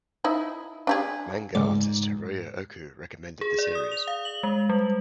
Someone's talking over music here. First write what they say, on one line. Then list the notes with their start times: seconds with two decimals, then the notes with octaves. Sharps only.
Manga artist Hiroya Oku recommended the series.
0.24 D#4 E4
0.87 D4 G4 G#4
1.55 C#2 G#2 D5
3.41 G#4
3.59 D5
3.75 D#6
3.92 F7
4.07 F5
4.25 F#7
4.43 G#3
4.69 G3